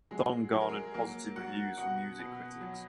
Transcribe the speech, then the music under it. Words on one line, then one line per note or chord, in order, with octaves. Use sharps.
The song garnered positive reviews from music critics.
F#3 G#3 G#4
F#3 G#4
A#4
G#3 G#4
G#4
F#3 A#3 A#4
F#3 F#4 F#5
B2 F#4 F#5
B2
F#3